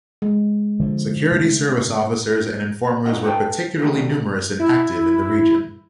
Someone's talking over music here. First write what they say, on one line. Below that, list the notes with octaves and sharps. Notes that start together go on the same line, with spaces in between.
Security service officers and informers were particularly numerous and active in the region.
G#3
D3 F3
C#3 A3
G#2 D3 B3 F4 D#5 F#5
A4 B4 D5 F#5 G5 A5
B2 D3 D#3 G3 A3
E4